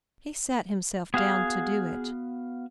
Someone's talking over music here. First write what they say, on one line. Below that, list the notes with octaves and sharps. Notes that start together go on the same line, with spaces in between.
He sat himself down to do it.
B3 F#4 G#4 F5